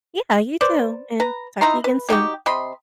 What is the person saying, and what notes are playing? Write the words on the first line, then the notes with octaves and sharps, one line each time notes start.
Yeah, you too, and talk to you again soon.
B4 C5 D5
B4 A#5
D#4 E4 A#5 C6
B4
G3 D#4 F#4 G4
C3 D#5 B5 C6